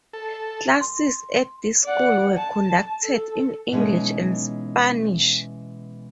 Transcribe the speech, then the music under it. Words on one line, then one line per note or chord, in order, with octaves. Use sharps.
Classes at this school were conducted in English and Spanish.
A4
C6
D5 F#5
A5
A4
B2 E3 G#3 C4 C#4 D#4